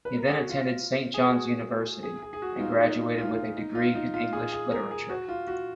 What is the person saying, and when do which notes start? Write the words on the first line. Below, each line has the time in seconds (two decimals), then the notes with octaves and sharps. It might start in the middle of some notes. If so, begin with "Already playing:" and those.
He then attended Saint John's University, and graduated with a degree in English literature.
0.05 B4
0.17 A#4
0.27 G#4
0.39 F#4
0.50 F4
1.14 G#4
1.27 F#4
2.03 G#4
2.22 G#4
2.33 G#4
2.42 F#4
2.57 D#4
2.60 F4
2.80 D#4
3.18 F4
3.26 D#4
3.33 F4
3.57 D#4
3.75 F4
3.95 D#4
4.14 F4
4.33 G#4
4.52 G#4
4.71 A#4
4.91 G#4
5.09 F#4
5.28 F4
5.47 F#4